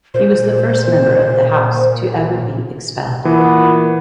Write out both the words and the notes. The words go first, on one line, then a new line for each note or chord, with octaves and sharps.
He was the first member of the House to ever be expelled.
A#2 C5
A#2 E3 B3